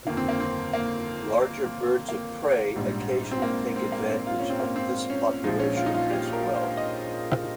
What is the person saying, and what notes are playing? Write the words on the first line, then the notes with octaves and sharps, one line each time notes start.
Larger birds of prey occasionally take advantage of this population as well.
G1 F2 D#3 A#3
C4
A#3
C4
A#3
A#3
A#1 G#2 G3
C4
A#3
C4
A#3
C4
F4
C#4
C4
A#3
C4
C#4
A#1 A#2 F3 G#3 D#4
C#4
F4
D#4
F4
G4
A#4
C5
D#5